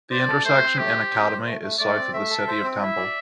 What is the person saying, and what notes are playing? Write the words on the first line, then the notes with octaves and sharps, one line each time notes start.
The intersection in Academy is south of the city of Temple.
C5 D5
A4
A3 C5
C4
A3 G4
C5
C4
C5
A3
A3
A3 D5
C4
A3 E5
A4
C5
C4
E4 E5
D5